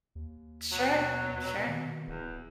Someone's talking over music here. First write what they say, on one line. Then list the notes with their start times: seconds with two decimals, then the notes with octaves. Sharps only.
Sure. Sure.
0.15 D#2
0.72 B2 F#3
1.68 D#3
2.07 D1 E2